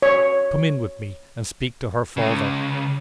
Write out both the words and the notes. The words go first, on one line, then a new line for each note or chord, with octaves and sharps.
'Come in with me, and speak to her father.'
C#5
C#2 C#3